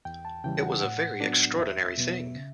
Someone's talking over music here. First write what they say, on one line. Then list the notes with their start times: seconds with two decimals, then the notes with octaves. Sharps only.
It was a very extraordinary thing!
0.05 E2 G5
0.25 A5
0.44 C#3 E3 G3 G5
0.62 F#5
0.82 A2 F#5
1.21 F#3 B3 D4
1.59 E2 E5
1.97 B2 F#3 B3
2.36 C#3